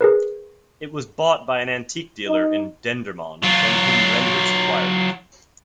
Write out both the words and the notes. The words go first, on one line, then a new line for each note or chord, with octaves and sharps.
It was bought by an antique dealer in Dendermonde from whom Renders acquired it.
G#4 A#4 B4
D#4
F#3 F4